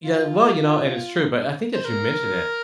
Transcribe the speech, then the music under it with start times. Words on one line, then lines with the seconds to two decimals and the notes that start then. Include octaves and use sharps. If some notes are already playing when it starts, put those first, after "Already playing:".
yeah, well, you know, and it's true, but I think that you mentioned it.
0.05 F4
1.74 C5
1.85 A#4